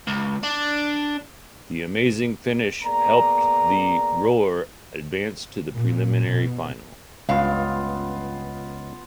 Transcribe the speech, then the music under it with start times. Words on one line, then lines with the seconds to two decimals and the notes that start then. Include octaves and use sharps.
The amazing finish helped the Roar advance to the preliminary final.
0.08 C#2
0.43 D4
2.83 A#3 B3 G#4 D5 A#5
5.74 A#2
6.27 B2
7.29 C#2 G2 B3 F4 F5